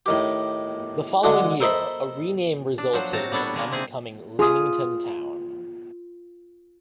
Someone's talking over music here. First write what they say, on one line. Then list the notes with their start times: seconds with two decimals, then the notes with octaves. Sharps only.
The following year a rename resulted in them becoming Leamington Town.
0.06 A2 D#3 G4
1.23 D3 G#3 D4 F#4
1.60 A4 A#4 C5 D#5 E5 B5
2.78 D4
2.93 F3 F#3 C5 F#5
3.13 A2 C4 F#4 A5 A#5
3.32 G3 B3 D4 A4 C#5
3.54 D3 G#3 A#3
3.71 C3 C4 G#4
4.39 F4 G#4 D#6